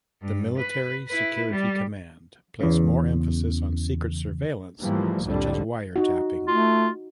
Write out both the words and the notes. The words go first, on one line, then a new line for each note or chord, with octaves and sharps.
The Military Security Command place more emphasis on secret surveillance such as wiretapping.
G2
B4
E4 B4
G3
E2 C#3
G#2 E3 F3 G3 A3 A#3
C2 F2 A2 D3 G3
D#4 F#4
A3 F4